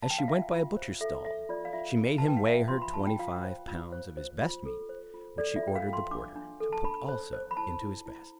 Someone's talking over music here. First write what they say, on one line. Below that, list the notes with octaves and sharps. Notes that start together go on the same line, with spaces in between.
As she went by a butcher's stall, she made him weigh her twenty five pounds of his best meat, which she ordered the porter to put also into his basket.
A5
G5
F5
F4 E5
F4
C5
A4 E5
A4 E5
F4 D5
F5
F4 E5
F4
B4 A5
G5
F5
F4 E5
F4 C6
B5
F4 A5
G5
F4 F5
C5
F4
C5
C5
F4
A4
C5
F4
A4 D5
E5
F4 G5
F5
F4
C6
D4 D6
D4
A4
A5
D4 B5
C5
C5
B5
E4 A5
E4
E4